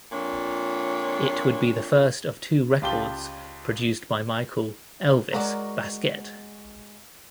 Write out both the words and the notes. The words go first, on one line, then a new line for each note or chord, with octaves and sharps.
It would be the first of two records produced by Michael "Elvis" Baskette.
F2 A#2 D4 C#5
C#2 F4 G4 A5 G7
F#3 G#3 F#4 A#4 D5 F#5